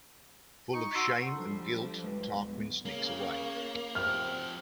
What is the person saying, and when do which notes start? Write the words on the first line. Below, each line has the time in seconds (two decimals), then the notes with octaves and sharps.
Full of shame and guilt, Tarquin sneaks away.
0.74 D#4 C#6
0.95 F#4 C6 E6 C7
1.36 F3 G3 D4 A4
2.04 D1 G#3 B4
2.35 B3
2.86 C#3 A#3
3.95 F3 C4 G4 F6